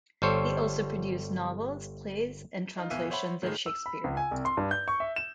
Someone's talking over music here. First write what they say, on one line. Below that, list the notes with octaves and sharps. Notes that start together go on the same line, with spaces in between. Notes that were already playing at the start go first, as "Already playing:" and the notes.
He also produced novels, plays, and translations of Shakespeare.
G1 G3 A4 C5 C#5
D#4 F4
D1 B2 E3 E5 F5 D#7
C5 C#5 E5 F#5 B5
A2 D#3 F3 G#3
E6
B5
C#2
G#5
C2
C6
G2
G6
C#6
E5
E7